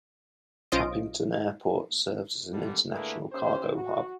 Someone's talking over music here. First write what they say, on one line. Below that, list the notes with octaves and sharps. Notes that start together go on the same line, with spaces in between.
Upington Airport serves as an international cargo hub.
B1 C#4 F4 C5 D#5 D7
G#1 D3 G3
D3 A3 A#3 E4 G#4 B4
D#2 C#4 G4 C5
F#4